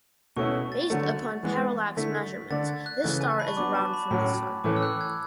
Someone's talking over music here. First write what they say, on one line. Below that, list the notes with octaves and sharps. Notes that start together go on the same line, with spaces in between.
Based upon parallax measurements, this star is around from the Sun.
B2 A3 C#4 E4 C#6
A6
D3 F#3 A3
E3 G#3 B3
D3 A3 E4 B6
D3 A3 D4 A6
G#6
F#6
C#3 E3 A3
G#5
A5
B5
C#6
F#3 B3 D4 D6
A5
B5
A2 F#3 C#4 B5
A2 E3 A3 C#4 D6
E6
F#6
G#6